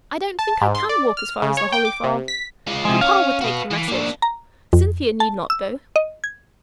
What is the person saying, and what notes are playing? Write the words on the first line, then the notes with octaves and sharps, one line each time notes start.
"I don't think I can walk as far as the Holly Farm; papa would take the message; Cynthia need not go."
A5
G#2
C6
D5
F6
C#3
C#5
G5
D6
C3
B6
G#3 F4
C3 F3 G#3
C#4 F5
F#4 B4
E3
A#3 D4
A#5
F2
A5
E6
D#5
G#6